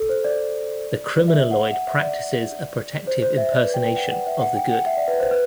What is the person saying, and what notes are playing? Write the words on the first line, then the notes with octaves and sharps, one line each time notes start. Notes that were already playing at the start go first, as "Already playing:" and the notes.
The criminaloid practices a protective impersonation of the good.
Already playing: A4
C5
D5
E5
F#5
F#5
E5
D5
C5
C5
E5
D5
B4
G5
G5
F#5
F#5
E5
F#5
G5
F#5
E5
D5
B4
C5
B4